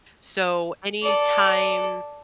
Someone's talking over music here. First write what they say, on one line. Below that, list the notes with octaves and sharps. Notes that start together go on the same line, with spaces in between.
So anytime
A4 D5